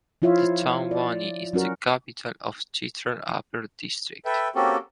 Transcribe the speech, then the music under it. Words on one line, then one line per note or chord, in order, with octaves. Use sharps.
The town Buni is the capital of Chitral Upper district.
F3 E4 F4 C#5 E5
D5
F#3 C#4 F#4 A#4
A4 B4 E5 G5
A#3 C4 C#4 F#4 G4 A4